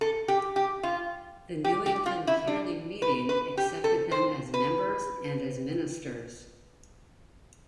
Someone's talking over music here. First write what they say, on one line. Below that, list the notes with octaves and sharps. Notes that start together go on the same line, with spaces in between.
The New England Yearly Meeting accepted them as members and as ministers.
A4
G4
G4
F4
G4
G4
F4
E4
D4
B4
B4
G4
A4
C5
B4